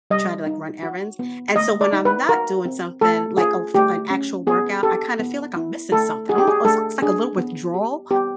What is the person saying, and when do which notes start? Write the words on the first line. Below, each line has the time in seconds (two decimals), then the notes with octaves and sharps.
try to like run errands, and so when I'm not doing something, like, oh f an actual workout, I kind of feel like I'm missing something. Almo it's almost like a little withdrawal
0.10 G3 D#5
0.47 D#4
0.83 F#4
1.19 B3
1.56 A3 D#5
1.81 D5
1.93 D#4
2.05 B4
2.29 F#4 A#4
2.65 C4
3.01 A3 A4
3.38 F4 G#4
3.74 A3 G4
4.10 C#4
4.47 B3 G#4
4.83 G4 A4
5.19 B3
5.56 E4
5.92 A3 A4
6.29 F#4 G#4
6.38 G4
6.48 G#4
6.65 A3 A4
7.02 D4 G#4
7.38 B3
7.74 G4
8.11 B3 G4